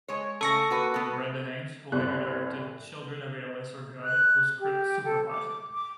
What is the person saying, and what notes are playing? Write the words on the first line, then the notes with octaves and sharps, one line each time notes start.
Randa Haines, who later directed "Children of a Lesser God", was script supervisor.
G#3 C#5
C#3 A3 A4 C#6 A#6
A#3 F#4 B4
B2 B3
G1 C2 F#6
F#6
G4
A4
D6
D6